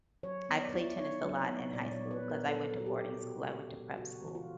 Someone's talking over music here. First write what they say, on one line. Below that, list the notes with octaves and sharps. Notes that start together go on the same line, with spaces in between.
I played tennis a lot in high school 'cause I went to boarding school, I went to prep school,
F#3 C#5
B3
D5
E4
D#4 C#5
F#3
B3
A#2 D5
C#5
G3
B4
B3
A#4
A#2 A4
F#3
F#4
G4
B3
B2 F#4
G#3
C#4
C#3 F#4
E3 F#4
F4